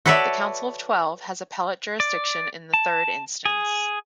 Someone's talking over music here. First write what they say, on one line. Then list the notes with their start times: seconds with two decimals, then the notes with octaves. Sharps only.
The Council of Twelve has appellate jurisdiction in the third instance.
0.06 F#4 A4 B4 C#5 D5 E5
2.00 D5
2.74 A5
3.46 G#4